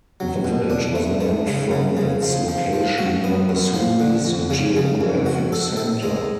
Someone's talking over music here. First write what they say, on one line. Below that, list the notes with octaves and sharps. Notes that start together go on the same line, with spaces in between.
The village was named from its location near Missouri's geographic center.
F#3
B2
D4
A3
A3
C#3
C#3
C#3
F3
F3
F3
F#4
B3
F#2
F3
D3
F2
C#3
C#3
F2
F#4
A4
A4
G#3